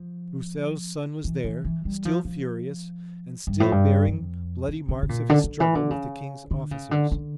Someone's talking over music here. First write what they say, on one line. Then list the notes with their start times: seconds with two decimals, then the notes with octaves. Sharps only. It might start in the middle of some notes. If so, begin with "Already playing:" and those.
Broussel's son was there, still furious, and still bearing bloody marks of his struggle with the king's officers.
Already playing: F3
1.24 E3
1.44 E3
1.65 E3
1.85 G3
2.05 F3
2.25 F3
3.47 G2
3.60 A2
3.72 G2
4.07 F2
4.68 C#3
4.89 C#3
5.03 C#3
5.09 A#2
5.30 D3
5.44 D3
5.60 E3
5.75 D3
5.90 C#3
6.51 D3
6.71 C#3
6.91 D3
7.12 D3